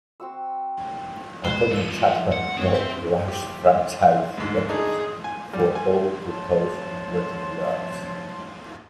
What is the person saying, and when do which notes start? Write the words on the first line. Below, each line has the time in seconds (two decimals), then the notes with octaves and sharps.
Antonio Chatman broke Rush franchise records for All-Purpose and Return Yards.
0.20 C4 F#4 E6
1.44 B2 G#3 B4 C5
1.71 F#2 E3 F3 E6 D#7
2.32 F#5
2.57 D#3 G#3 C4 C#5
2.74 C5 E5
3.28 G4
4.37 D2 G#2
4.69 D4 D#4 G#4 D5
5.24 G#5
5.53 G3
5.75 G#5
6.28 F3 C#5 A5 C6